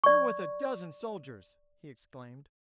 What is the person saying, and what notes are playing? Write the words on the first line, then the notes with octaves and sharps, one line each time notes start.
"You're worth a dozen soldiers!" he exclaimed.
D5 C#6